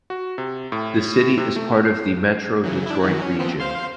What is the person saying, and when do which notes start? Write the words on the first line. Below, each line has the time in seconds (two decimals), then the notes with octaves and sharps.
The city is part of the Metro Detroit region.
0.10 F#4
0.38 C3
0.72 A2
1.38 C3
1.56 A3
1.85 C7
2.64 C#3 E3 F#3
2.86 D4 E4
3.00 D#3 E3 F#4
3.22 C#4
3.39 F3 B3 C4
3.60 C5 F5 C6